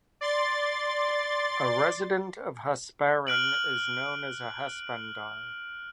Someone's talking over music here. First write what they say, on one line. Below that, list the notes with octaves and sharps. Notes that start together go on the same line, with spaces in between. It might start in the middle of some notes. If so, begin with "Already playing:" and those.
A resident of Hasparren is known as a 'Haspandar'.
D5 C6 A6
F6 F#6 D7 F#7